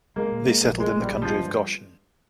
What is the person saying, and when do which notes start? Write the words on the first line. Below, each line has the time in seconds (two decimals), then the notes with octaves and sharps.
They settled in the country of Goshen.
0.16 G#3 A#3
0.32 A#2
0.48 G#3
0.63 A#1
0.80 A#2 G#3
0.96 A#1
1.01 G3
1.11 A#1
1.22 F3
1.27 G#3
1.43 G2